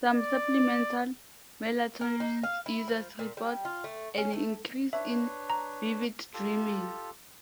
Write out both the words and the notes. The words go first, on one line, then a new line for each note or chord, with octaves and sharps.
Some supplemental melatonin users report an increase in vivid dreaming.
D5
A#4
D#4
F5
E4
F3
A#2
G3
F4
A3
C#4
A3
D4 B4 C#5 E5
A#5
F4 G4 A4